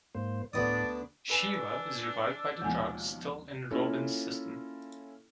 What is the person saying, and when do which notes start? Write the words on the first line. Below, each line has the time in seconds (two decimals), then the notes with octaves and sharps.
Shiva is revived by the drug still in Robin's system.
0.15 G#2 A#3 C5
0.53 D2 A2 B3 D4 D5 D#6
1.30 D4 B4 G#5 E6 C7
2.62 D#2 B2 F3 G#3 G#5
3.71 A#3 C#4 E4 F4 A4